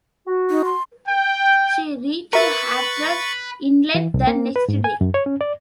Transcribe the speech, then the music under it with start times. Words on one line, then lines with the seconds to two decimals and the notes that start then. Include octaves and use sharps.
She reached Hatteras Inlet the next day.
0.26 F#4
0.50 D#4
0.65 C6
1.07 G5
2.33 A#4 B4 E5 C#6 A6
3.95 E3
4.14 C2
4.27 A#3
4.56 B4
4.68 G#2
4.84 G#5
5.01 F#2
5.14 C#5
5.26 C#4
5.41 D5